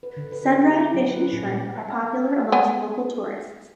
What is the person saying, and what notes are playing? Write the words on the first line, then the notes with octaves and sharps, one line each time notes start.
Sun-dried fish and shrimp are popular amongst local tourists.
B4
D3
B4
G#4
G4
C4
F#3
B4
C#4
A#2
G4
B3 G#5